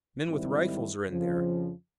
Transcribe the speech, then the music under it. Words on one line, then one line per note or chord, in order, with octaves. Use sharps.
Men with rifles are in there.
G#2 D#3 G3 C4 E4
F2 C#3 F3